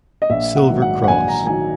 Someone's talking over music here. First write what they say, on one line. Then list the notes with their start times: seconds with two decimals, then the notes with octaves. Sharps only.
Silver cross.
0.22 D#5
0.30 A#1 E5
0.56 F#5
0.69 G#2 D#3 F#3
0.82 F#5
1.04 F#5
1.08 A#1 G#5
1.28 A#5
1.46 D#3 F#3 G#5